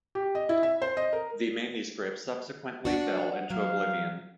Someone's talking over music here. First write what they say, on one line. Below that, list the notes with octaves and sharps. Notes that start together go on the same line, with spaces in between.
The manuscript subsequently fell into oblivion.
G4
D#5
E4
E5
C5
D#5
A#4
D4 F#4 F#5
F#3 F5